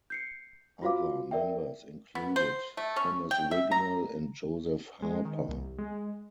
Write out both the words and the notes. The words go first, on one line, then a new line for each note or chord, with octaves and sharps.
Other members included Thomas Wignell and Joseph Harper.
G6 C7 C#7
F4 F#4 C5 F5 D6
A#4 D5 E5 G5
B3
C5
A3
C#4
G5
E5
A#5
G#3
D#3
C2
G#3